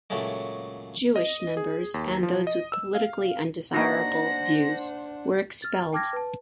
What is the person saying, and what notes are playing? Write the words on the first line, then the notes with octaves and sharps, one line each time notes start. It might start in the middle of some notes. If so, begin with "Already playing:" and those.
Jewish members and those with politically undesirable views were expelled.
A#2 C#3 F#3 G#3 A3
D#5
G#4
D#2
F3
D#5
E6
F5
A#3 D4 D#4 F#4 C5 F#5 A#6
F6 A6
G5 A5 D6 F6 G#6 A#6
B4 A5